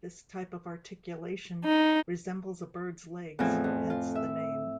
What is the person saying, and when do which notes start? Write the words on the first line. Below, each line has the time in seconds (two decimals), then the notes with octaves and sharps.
This type of articulation resembles a bird's legs, hence the name.
1.65 D#4
3.39 E2 A2 F3 C4 F4 G#5
3.64 F2
3.90 F4
4.15 E5